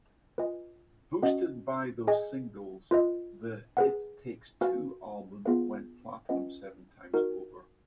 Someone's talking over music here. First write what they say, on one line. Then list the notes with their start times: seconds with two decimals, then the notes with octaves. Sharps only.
Boosted by those singles the "It Takes Two" album went platinum seven times over.
0.38 F4 B4 D#5 G#5
1.22 C#4 F#4 B4 D#5 F#5
2.07 G#4 D#5 G#5
2.91 F4 B4 D#5
3.77 G#4 B4 F#5
4.61 F#4 B4 F5 G#5
5.45 B3 F4 G#4 B4 F5
6.29 C#4 F4 B4 D#5 F#5
7.14 D#4 F#4 A#4